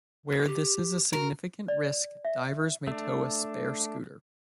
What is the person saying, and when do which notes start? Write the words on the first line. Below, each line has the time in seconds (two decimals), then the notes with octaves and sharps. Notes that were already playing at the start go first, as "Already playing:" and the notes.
Where this is a significant risk, divers may tow a spare scooter.
0.47 G4
1.13 F#4 A#4
1.68 D5
2.25 E5
2.87 A3 D4